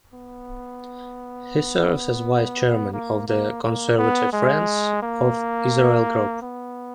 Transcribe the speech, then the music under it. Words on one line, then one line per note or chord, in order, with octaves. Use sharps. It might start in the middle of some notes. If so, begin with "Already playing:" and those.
He serves as Vice Chairman of the Conservative Friends of Israel group.
B3
A#3
A#3
A#3
B3
G#3
A#3
B3